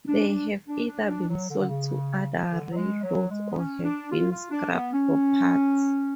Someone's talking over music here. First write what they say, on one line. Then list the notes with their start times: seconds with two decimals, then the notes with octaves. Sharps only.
They have either been sold to other railroads or have been scrapped for parts.
0.07 D4
0.27 D4
0.67 D4
0.87 D4
1.08 D4
1.28 F#3
1.49 D3
1.60 D3
1.68 C#3
2.50 D3
2.71 F#3
2.76 G#3
3.03 F#3
3.29 G#3
3.51 B3
3.57 C#4
3.84 D4
4.11 F4
4.31 F4
4.50 D4
4.72 B3
4.92 C#4